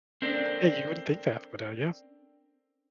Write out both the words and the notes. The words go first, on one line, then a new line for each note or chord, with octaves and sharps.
Yeah, you wouldn't think that, but, uh, yeah.
C4 D4 A4 A#4 C5 D5